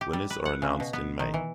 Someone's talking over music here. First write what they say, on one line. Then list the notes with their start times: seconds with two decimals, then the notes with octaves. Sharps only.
Winners are announced in May.
0.01 G4
0.13 G3
0.30 B4
0.45 F#5
0.62 C#3
0.80 B2
0.93 B3
1.19 D#3
1.34 E3